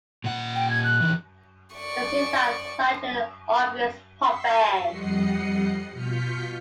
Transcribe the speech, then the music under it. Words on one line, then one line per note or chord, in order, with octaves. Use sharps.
They seemed like such an obvious pop band.
A#2 F#5
G5
G#6
F#6
E2 D#3 E3
D5 C#6
C6 C#6 E6 B6 C7
F2 G3 D#5 F#5 C7 C#7
B2 F4 F6 G6 B6 C#7